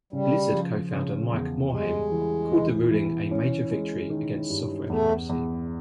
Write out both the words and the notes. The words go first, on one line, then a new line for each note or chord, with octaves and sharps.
Blizzard co-founder Mike Morhaime called the ruling a major victory against software piracy.
C#3 G3
F3
C#3
E2
G3 G#3
E3
E3
E3
C#4
G#3
D#3
G2
E2 A3
E2